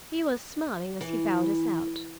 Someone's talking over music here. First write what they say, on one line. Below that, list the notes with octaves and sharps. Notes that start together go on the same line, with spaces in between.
He was smiling as he bowed us out.
E3